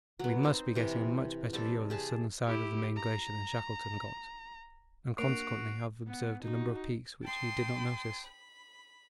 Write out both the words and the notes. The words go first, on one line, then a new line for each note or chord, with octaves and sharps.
We must be getting a much better view of the southern side of the main glacier than Shackleton got, and consequently have observed a number of peaks which he did not notice.
F#3 B3
C4 D#4 C5
C3 E3 G5
G3 C4 A4
G4 G#4 A5
E4 G4
A#5
A#3 D4 F#4 C7 D7 F7
B3
D#4 F#4
G5 A5 C6 D#6
B5